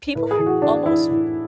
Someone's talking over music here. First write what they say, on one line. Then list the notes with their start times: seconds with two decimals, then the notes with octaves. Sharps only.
people ark almost
0.15 A2 B4
0.31 G#4
0.39 E3
0.46 F#4
0.62 A2 D4
0.86 E3 E4
1.10 A2